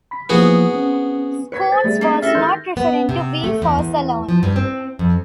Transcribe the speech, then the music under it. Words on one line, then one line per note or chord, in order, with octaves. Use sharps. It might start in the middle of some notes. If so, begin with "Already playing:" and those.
Scoones was not referring to V Force alone.
B5 B6
F3 A#3 B3 E4 F#4 G#4
C4 C#4
B4 C#5 G#6 B6 C#7
C5 A6
G3 A3 G#4
A#3 C#4
C#4 E4 G4 A4 E5 F6 A#6
D#3 D#4 C6 G6
B3
C3
A3
E2
E2
F3
G2
C4
F2